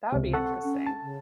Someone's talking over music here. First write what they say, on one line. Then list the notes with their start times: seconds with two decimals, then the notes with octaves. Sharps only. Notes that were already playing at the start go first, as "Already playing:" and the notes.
That would be interesting.
0.12 C#2 C3
0.34 C4 A4 F#5 C#6
0.63 C#4
0.87 A5
1.03 C#3